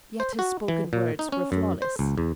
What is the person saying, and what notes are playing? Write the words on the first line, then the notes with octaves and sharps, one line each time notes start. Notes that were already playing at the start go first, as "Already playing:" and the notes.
Yet his spoken words were flawless.
C5
F#4
E3
A#2
D#4
C#4
F#2
C5
C#2
E2